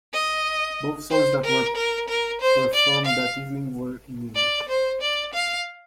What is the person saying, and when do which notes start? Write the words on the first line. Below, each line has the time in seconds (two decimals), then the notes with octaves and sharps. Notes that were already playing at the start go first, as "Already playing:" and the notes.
Both songs that were performed that evening were in English.
0.13 D#5
1.10 C5
1.44 A#4
1.75 A#4
2.08 A#4
2.41 C5
2.74 D5
3.06 F5
4.36 D5
4.69 C5
5.01 D5
5.34 F5